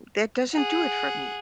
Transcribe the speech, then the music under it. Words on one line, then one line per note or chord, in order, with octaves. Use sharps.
that doesn't do it for me.
G#4 F#5